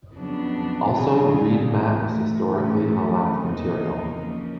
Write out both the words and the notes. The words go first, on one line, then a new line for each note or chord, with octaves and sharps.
Also reed mat was historically a lath material.
F2 C#3 F#3 B3 D4
D3 G3 C4 F4 G#4
A2 E3 A3
C#3 E3 A3
E2 C3 F3 A#3 D#4
C#3 F3 A#3